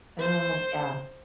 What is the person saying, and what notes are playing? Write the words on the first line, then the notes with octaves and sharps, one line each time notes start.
Oh, yeah.
C5